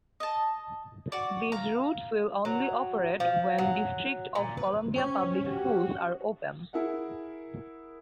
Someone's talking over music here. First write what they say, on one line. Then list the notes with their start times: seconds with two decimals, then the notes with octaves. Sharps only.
These routes will only operate when District of Columbia Public Schools are open.
0.20 D#5 A5
1.12 F#4 D5
1.52 F5 A#5
2.45 F#3
3.20 F3
3.58 F#3
4.35 A#2
4.57 B4
4.94 C#4 C5 G5 C#6
5.46 F#4 G4
6.73 E4 G#4 A#4 E5 F#5